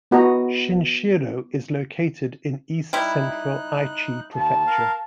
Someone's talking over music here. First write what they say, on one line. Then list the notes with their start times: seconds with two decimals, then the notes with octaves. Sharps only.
Shinshiro is located in east-central Aichi Prefecture.
0.11 B3 E4 F#4 B4 D#5 A#5
2.93 G3 D#4 E4 F#6
4.34 D#2 A5
4.67 A#4 F5